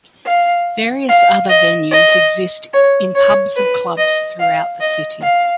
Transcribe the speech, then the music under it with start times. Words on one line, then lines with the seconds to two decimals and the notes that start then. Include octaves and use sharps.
Various other venues exist in pubs and clubs throughout the city.
0.26 F5
1.09 F5
1.49 D#5
1.92 D#5
2.74 C#5
3.15 C#5
3.56 B4
3.98 D#5
4.39 F5
4.81 D#5
5.22 F5